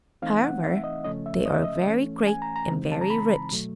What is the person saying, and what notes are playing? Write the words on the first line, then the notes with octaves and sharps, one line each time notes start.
However, they are very great and very rich.
E3 A3 C4 D#4 F5
F#5
E5
D#5
C#3 F3 A3 C#4 D#5
E5
D#5
E5
D#5
E3 A3 C#4
G#5
A#5
A#5
C#3 E3 G#3 C4 D#4
A5
A#5
B5
B2 F#3 A3